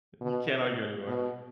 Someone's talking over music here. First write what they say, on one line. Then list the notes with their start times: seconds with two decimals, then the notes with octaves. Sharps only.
You can't argue anymore."
0.21 B2
1.07 B2